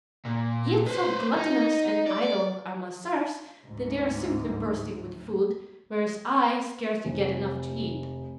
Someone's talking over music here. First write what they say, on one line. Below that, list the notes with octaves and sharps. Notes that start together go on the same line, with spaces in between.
Yet so gluttonous and idle are my serfs that they are simply bursting with food, whereas I scarcely get enough to eat.
A#2
B4 C5
D#4
D5
D2 G#2
F1